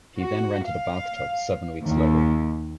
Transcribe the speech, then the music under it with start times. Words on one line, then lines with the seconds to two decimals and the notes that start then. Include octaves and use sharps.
He then rented a bathtub seven weeks later.
0.19 F#4
0.64 F5
1.83 D#2